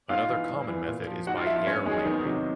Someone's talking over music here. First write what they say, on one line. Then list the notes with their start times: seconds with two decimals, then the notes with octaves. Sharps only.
Another common method is by air layering.
0.09 G#2 F4 F5
0.29 E3
0.49 G2
0.68 E3
0.87 A#2
1.07 F3
1.27 G#2 F#4 F#5
1.36 F4 F5
1.46 F3 E4 E5
1.56 F4 F5
1.66 G2 C#4 C#5
1.86 D#3 F#3 G#3 G#4
2.05 E2 D#3 D#4
2.25 C3 D#3 F#3